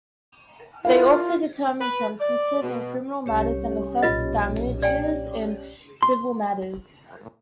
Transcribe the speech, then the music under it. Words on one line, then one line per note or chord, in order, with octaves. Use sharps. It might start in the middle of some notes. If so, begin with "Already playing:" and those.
They also determine sentences in criminal matters and assess damages in civil matters.
E4 F4 A#4 F5
B4
D5
B2
C2 C#4 G4 C#5
B1 A#2 F4 B4 D#5
D5 G5 G#5
C6